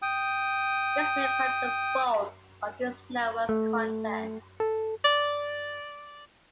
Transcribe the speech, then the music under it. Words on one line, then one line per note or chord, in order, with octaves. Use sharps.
This makes up the bulk of these networks' content.
G5 D#6
A3
A4
D5